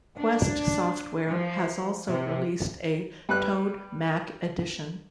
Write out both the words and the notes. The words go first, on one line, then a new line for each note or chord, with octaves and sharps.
Quest Software has also released a Toad Mac Edition.
D4
F3
C3
G3 B4 F#6